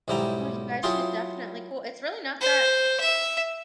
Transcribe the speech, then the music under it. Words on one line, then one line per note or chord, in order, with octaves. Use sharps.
Well, you guys should definitely cool it's really not that
B1 G#2 G3 E4 G5 A#5
F#3 E4 F4 G#4 G5 C6
C5
E5